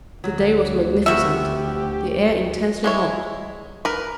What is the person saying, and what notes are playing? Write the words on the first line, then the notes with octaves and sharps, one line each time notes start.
The day was magnificent; the air intensely hot.
D2 F#3
C3 F3 B3 F#4 G4 E5
G#3 E4 C#5
A#4 B4